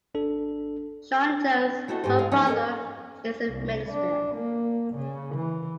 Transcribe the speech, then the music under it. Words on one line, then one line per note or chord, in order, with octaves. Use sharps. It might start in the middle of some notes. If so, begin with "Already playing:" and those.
Shawn Jones, her father, is a minister.
G#1 D4 A4
A3 E4 F#4 C#5 D#5
G#2 G4 A4 C5
G#3 F5
F3 A#3 C#4 D#4
A4 A#4 D5 D#5
C2
D4
A#3
C#3
E3